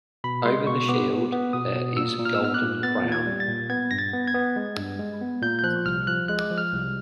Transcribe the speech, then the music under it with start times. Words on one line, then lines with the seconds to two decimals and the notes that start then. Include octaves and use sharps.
Over the shield there is golden crown.
0.24 B2 B5
0.45 G#3 C6
0.67 B2 C#6
0.89 B3 D6
1.10 B3
1.32 B3
1.53 B2 D#6
1.75 B2
1.97 A#2 E6
2.19 A#2
2.25 F6
2.35 E6
2.40 B3 F6
2.54 F#6
2.62 A#2
2.83 B3 A6
3.05 A#2
3.12 G#6
3.27 G3
3.40 A6
3.48 A#2
3.69 B3 G#6
3.91 G2 A#6
3.99 A6
4.13 B3
4.28 G#6
4.34 B3
4.56 G#3
4.77 G2
4.99 G#3
5.21 B3
5.42 A#2 G6
5.59 G6
5.64 F3 F#6
5.86 C2 F6
6.07 F3 F#6
6.28 G#3 F#6
6.50 F3
6.58 F6
6.72 C2